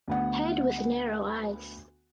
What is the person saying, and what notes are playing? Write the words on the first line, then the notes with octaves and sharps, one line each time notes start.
Head with narrow eyes.
D2 B3 F#5